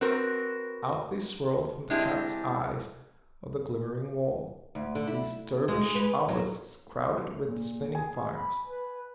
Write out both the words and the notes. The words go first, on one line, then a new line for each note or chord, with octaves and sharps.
Out they swirled from the cat's eyes of the glimmering wall, these dervish obelisks crowded with spinning fires.
C4 F#4 A#4 B4
G#3 C4 D4 E4 G4
D2
D3
E4
G#3
B4
F#3
A#2
G#4 G#5
B5
B4